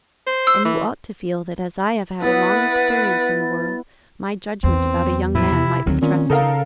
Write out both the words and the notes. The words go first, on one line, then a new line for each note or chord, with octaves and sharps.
"And you ought to feel that, as I have had a long experience in the world, my judgment about a young man might be trusted."
C5
E6
E3
B3 E4 B4 F#5 A6
E2 C4
A2 F3 E4
C3
D2 D#3 F#3 C4
A#2 D#3 C#4
C#3 D#4 A4 A#4 F5